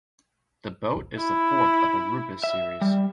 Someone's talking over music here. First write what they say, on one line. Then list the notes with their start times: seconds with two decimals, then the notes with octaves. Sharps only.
The boat is the fourth of the "Rubis" series.
1.17 E4
2.44 E5
2.81 G3